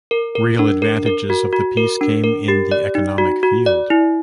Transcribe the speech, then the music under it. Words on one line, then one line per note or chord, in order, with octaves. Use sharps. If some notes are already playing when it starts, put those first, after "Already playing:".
Real advantages of the peace came in the economic field.
A#4
A#4
D4
A#4
A#4
F#4
F#4
A#4
D4
A#4
G4
D5
D#4
F#4
F#4
D5
E4